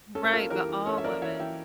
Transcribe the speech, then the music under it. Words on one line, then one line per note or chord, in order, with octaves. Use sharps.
Right. But all women.
C#4 A4
A#4
A#3 F4 A4
E3 G4 A#4
E3
C#4 A4 C#5
E5
A#3 A#4 D5
E3 C#5 E5
E3 E5 G5